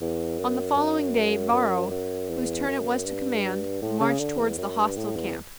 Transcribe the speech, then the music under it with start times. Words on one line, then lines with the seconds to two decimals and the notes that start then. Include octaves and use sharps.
On the following day Varro, whose turn it was to command, marched towards the hostile camp.
0.01 E2
0.39 F#2
0.76 F#2
1.53 F#2
1.91 F#2
2.29 E2
2.68 F#2
3.06 G2
3.82 A2
4.00 C#3
4.19 D3
4.38 E2
4.58 F#2
4.78 G2
4.97 A2
5.16 E2